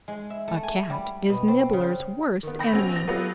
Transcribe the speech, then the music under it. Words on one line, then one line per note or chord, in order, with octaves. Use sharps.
A Cat is Nibbler's worst enemy.
G#3
E5
A3
G#5
G3
B2
C4
C#3
D#3 B3
G5 B5 A#6
B1 C4 C#4 F#4 F7
A#6
F#3 A3 B3 F4 G4 B4